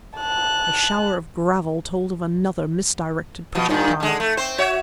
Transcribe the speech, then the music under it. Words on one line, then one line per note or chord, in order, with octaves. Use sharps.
A shower of gravel told of another misdirected projectile.
A5 F#6
B2 F3
G2 A#2 D#3
D3 G#3
A3
C4 C5
F#4 C#5 E5